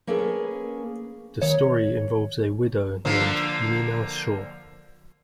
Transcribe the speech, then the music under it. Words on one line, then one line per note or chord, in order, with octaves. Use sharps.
The story involves a widow named Minna Shaw.
A#3 C#4 G#4 A4 B4
D#3 C#5
D3 F3 A#3